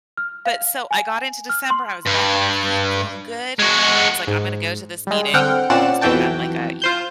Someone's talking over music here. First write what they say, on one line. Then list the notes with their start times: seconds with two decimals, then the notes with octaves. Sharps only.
But so I got into December, I was back on my feet feeling good. And I was like, "I'm gonna go to this meeting." Because they had like a, you know,
0.17 F6
0.46 F5
0.91 G#5
1.50 F6
1.70 C6
2.06 G2
3.59 G#3 F#4
4.27 G#2
5.07 G3 G#3
5.34 D3 C4 F#5 G5 F6 G6
5.70 A#2 C4 C#4 D5 F#5 E7
6.01 B1 F2 E3 F#4 G5 A5
6.82 F4 C5 G6